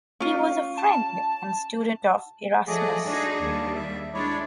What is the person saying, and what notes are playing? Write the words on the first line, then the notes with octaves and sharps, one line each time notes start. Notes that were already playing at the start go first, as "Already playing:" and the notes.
He was a friend and student of Erasmus.
C#4 F4
A5
F3 F#3 A3 G#4 D5 D#5
D4 D#4 F#4 G#4
D#2 G3
E5
G#3 D4 E4 C#5 D5